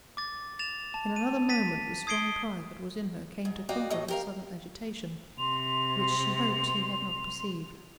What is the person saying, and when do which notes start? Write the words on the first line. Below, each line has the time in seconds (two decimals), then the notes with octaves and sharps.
In another moment the strong pride that was in her came to conquer her sudden agitation, which she hoped he had not perceived.
0.17 D6 A6
0.59 A6 E7 F7
0.94 A5
1.16 D#7
1.49 A6 B6 D#7
2.07 D#6 G#6 C7 D7 G7
3.45 G#2
3.69 F4 F#4 A#4 D5 D#5 G5
3.90 A2 F#3 G3 A3 D#5
4.08 G4 A#4 F5
5.38 C3 C6 F7